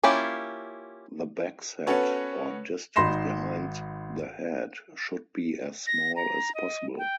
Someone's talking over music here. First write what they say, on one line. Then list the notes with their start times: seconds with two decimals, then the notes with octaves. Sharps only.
The backset, or distance behind the head, should be as small as possible.
0.03 A#3 C#4 E4 F4 G4
1.87 B3 C#4 F#4 A4 B4 C#5
2.96 G#1 D#4 B5 C6 A#6 E7
5.87 A#6
6.16 A#5
6.55 D#5
6.98 G5